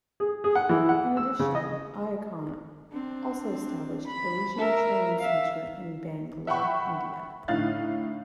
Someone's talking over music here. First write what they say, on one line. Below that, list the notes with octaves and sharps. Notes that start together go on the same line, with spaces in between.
In addition, Accion also established a regional training center in Bangalore, India.
G#4
G#4
F#5
E3
F#5
E6
C#3
D#5
C4 D4
B5
A#4 E5
E5 F5
E5 F#5 G5 B5 C#6
A2 D3 D#4 F5 F#6 A6